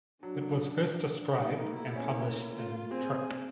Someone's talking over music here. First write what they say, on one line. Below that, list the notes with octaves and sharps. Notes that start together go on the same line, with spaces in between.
It was first described and published in Trop.
F#3 D4
F#3
G3 D#4
B3
A#3
A3
A#3 E4
B3
C#4
A3
A#3
F4
C4 G#4